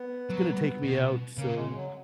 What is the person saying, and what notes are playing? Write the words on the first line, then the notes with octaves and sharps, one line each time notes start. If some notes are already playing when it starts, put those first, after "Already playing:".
it's gonna take me out so
Already playing: B3
F#3
B2
C#3 A#3
G#3
F#3